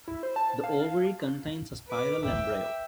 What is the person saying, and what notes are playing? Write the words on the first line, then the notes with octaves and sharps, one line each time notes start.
The ovary contains a spiral embryo.
E4
C5
A5
F5
B4 D6
E5 G5